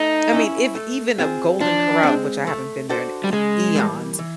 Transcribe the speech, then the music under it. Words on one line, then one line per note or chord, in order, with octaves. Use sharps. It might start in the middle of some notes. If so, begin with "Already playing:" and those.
I mean, if even a Golden Corral- which I haven't been there in e eons-
Already playing: A3 D#4
C#4 E4
A3
C4 F4 G#4
F3 D4
G#3 C4
A3
D4 F#4 A4 C5
G3
C#3 G#3
E3 G3 A#3
E3